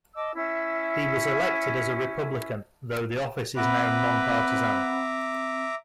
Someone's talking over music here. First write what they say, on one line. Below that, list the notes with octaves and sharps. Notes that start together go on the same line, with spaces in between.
He was elected as a Republican, though the office is now nonpartisan.
D#5 A5 D6 E6
C#4 E4 E5 E6
C4 B4 E5 F#5 A#5 B5 D6